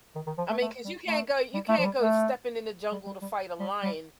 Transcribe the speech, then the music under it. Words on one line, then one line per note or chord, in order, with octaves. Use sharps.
I mean, 'cause you can't go you can't go stepping in the jungle to fight a lion
D#3
D#3
F3
A3
A3
G3
A3
G3
A3
F3
G3
A3
G3
G3
G3
G3
G3